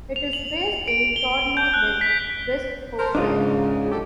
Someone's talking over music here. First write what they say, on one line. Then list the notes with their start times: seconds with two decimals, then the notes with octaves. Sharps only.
It is based in Todmorden, West Yorkshire.
0.16 F7
0.33 F#7
0.88 D7
1.16 G7
1.57 G6
1.74 F#6
2.01 B6
2.99 A4 A#4 C5
3.15 G#2 C#3 D4 D#4 F4
3.91 F#2 G4 A4